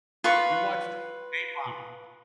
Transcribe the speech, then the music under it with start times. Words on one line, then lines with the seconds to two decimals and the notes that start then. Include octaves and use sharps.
you watched Dateline.
0.24 F4 B4 C#6